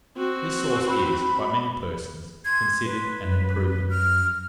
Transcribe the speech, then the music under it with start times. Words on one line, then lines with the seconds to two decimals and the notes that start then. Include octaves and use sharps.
This sauce is, by many persons, considered an improvement.
0.17 C4 F#4
0.87 B5
2.45 C6 G#6
2.85 B4
3.23 F#2
3.90 F6